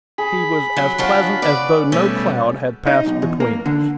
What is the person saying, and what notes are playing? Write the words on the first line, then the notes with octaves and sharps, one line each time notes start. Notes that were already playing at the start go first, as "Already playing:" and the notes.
He was as pleasant as though no cloud had passed between us.
G#4 B5
F#3
F#3 D4 F4 C#5 F5 F#5
B4 D5
B2 G3 A3 C#4
D#4
B1
E2
A#3
D3